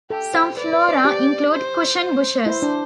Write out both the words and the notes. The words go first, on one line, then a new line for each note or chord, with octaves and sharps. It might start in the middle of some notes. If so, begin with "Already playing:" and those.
Some flora include cushion bushes.
G4 A4
C5
B4 D5
B4
C5
G4
C5
C5
E4 C5
D4